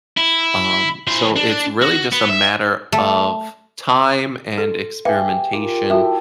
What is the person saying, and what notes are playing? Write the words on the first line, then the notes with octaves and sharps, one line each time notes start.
Um, so it's really just a matter of time and experimentation
E4
E3 C5
D4
F#4
B3
E5
A3
A4 C6
G4 G#4 B4 E5 F5
F4 G4 A#4
E4 F#4 A4 E5 G5